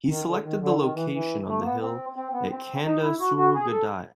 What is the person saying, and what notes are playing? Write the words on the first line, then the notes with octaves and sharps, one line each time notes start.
He selected the location on the hill at Kanda Surugadai.
D#3
D3
D#3
D3
D#3
E3
E3
A3
A#3
B3
C4
C4
B3
C4
D#4
E4
F#4
F#4
G#4
A4